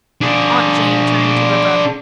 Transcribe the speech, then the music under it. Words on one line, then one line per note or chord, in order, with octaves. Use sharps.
Aunt Jane turned to her brother.
D4 G#4